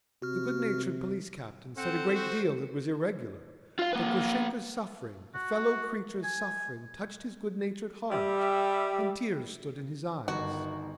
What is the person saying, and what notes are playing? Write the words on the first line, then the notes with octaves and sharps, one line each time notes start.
The good-natured police captain said a great deal that was irregular, but Grushenka's suffering, a fellow creature's suffering, touched his good-natured heart, and tears stood in his eyes.
C3 F#4 F6
C4 A4 C5 F#5
F#4
F4 F5
A#3 B4
F#4
G#5
G3 E5
G1 E2 D#3 F#4